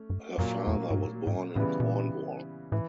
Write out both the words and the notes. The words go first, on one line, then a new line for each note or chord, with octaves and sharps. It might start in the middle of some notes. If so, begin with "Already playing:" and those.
Her father was born in Cornwall.
Already playing: A3 C#4
G2
F#2 A#2 F#3 A#3
F2
G#2
G2
G#2
A2 C#3 E3 G3 B3
B2
A#2
A2 E3